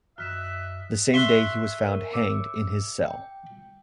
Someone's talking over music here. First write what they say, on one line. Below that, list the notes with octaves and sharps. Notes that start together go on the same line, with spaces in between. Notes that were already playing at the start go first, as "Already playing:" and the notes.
The same day he was found hanged in his cell.
F#2 D#5 E5 F6 F#6 B6 E7
E5 C6 C#6 E6 F#6
A#4 C#5
D6 E6 C#7
G5